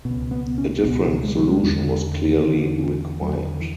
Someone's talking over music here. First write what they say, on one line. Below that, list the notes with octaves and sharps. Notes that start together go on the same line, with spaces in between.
A different solution was clearly required.
C#2 B2
B3
C#4
C#2 B2 B3
G#3
F#3
G#3
E2 D3
E2
D3
E2 D3 F#3
E3